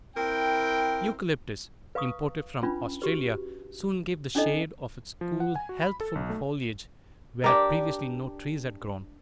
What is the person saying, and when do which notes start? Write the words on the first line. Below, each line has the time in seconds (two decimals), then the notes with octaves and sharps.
Eucalyptus, imported from Australia, soon gave the shade of its cool, healthful foliage where previously no trees had grown.
0.17 C4 E4 A#4 G5
1.95 B4 F5 A#5 C#6 D#6
2.63 C#4 D4 F4 B4 B5
3.02 F#4 G4 B4
4.35 C#4 D4 E4 A4 D#5
5.21 F3
5.40 F#5
5.56 G#5
5.69 F#4
5.82 B5
6.00 A4
6.15 B1
6.30 A3
7.44 D4 G4 A#4